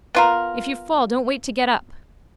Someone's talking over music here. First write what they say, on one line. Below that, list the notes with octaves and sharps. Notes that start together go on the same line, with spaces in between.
If you fall don't wait to get up.
B3 F4 A#4